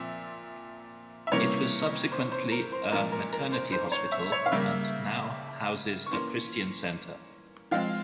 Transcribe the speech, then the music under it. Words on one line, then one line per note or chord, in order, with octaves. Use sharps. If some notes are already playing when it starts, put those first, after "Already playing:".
It was subsequently a maternity hospital, and now houses a Christian centre.
Already playing: A#2 F3 C4 E5
E5
C3 E3 G3 A#3 C#4 C#5
C5
C5
A#4
C5
A#2 F3 G#3 C#4 A#4
A#4
A#4
C5
C5
C#5
E5
C#5
F5
C#3 G3 A#3 E5
C#6
E3 A#3 C#4 C6
F3 G#3 C4 F5